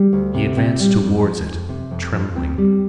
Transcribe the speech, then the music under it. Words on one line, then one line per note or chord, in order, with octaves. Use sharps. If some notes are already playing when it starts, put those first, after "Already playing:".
He advanced towards it trembling.
Already playing: G3
D2
C3
C4
G3
F2
F3
F2
C3
F2
F3
C4
G3